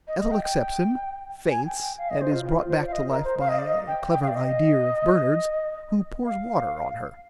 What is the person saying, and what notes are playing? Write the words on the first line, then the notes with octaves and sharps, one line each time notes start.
Ethel accepts him, faints and is brought back to life by a clever "idear" of Bernard's, who pours water on her.
D#5
D#5
G5
G5
G#5
G5
G5
F5
D#5
C5
F4
F4
F4
C5
D5
F5
D#5
A#4
C5
F5
D#5
D5
D#5
G5
G5
F5
D5
D#5
F5